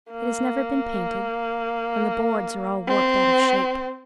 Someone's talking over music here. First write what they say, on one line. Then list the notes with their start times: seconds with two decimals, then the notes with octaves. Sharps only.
It has never been painted and the boards are all warped out of shape.
0.11 A#3
2.87 C4